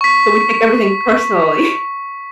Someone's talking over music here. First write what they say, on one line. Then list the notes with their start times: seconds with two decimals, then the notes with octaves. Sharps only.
So we take everything personally.
0.01 C#6 B6